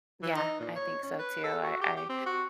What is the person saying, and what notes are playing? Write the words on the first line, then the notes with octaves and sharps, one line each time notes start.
Yeah, I think so too. I I
E3
D#4
A#2
C#5
C#4
B4
A4
F#4
G4
G4
C4
F#4